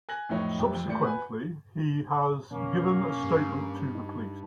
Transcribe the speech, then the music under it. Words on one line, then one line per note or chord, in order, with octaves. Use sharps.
Subsequently, he has given a statement to the police.
G#5 F#6 G#6 A#6 F#7
F2 A2 F#3 D#4 C#5
F1 D2 C3 G5
F2
G#1 A2 D#3 D5 G6 C#7
B4 F#5 G#5
F2 B2 A#3 C#4
G2
D#4